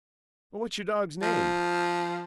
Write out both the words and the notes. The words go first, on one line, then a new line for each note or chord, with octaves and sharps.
"What's your dog's name?"
F3